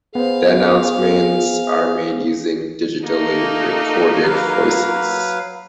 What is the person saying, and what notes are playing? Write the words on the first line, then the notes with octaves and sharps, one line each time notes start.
The announcements are made using digitally recorded voices.
B3 G#4 C5 F5
A3 A#3 D#4
F#3 B4 F5